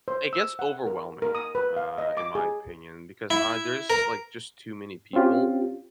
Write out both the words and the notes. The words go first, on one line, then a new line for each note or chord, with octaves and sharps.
it gets overwhelming, uh, in my opinion, because, uh, there's like just too many people
C5
E6
F#5
A#4
A#4
D#6
B4
F5
D#5
D6
G#4
E4
A#4
C4 C#4 F4 G4